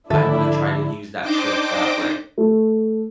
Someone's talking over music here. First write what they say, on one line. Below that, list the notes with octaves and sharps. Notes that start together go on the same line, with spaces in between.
I wanna try to use that trick that way."
G#2 D3 D#3 F3 D4 E4 A4 E5
D4 D#4 C5 D#5 G5 D6
A3